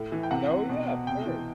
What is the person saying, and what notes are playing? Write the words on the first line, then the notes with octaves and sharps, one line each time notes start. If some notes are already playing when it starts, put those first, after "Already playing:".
No, yeah, of course.
Already playing: A2
E3
G5
C3 F#5
C3
B2
B2
C3 G5
E3